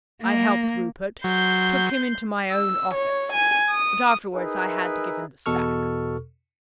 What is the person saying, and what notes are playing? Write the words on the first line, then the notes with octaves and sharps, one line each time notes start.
I helped Rupert, took him into my own office; but afterwards I had to give him the sack.
A#3
F#3 C6 G6
E6
C#5
G#5
D#6
D#4 E4 G#4 A#4 B4 E5
E2 B2 A4 C#6 F6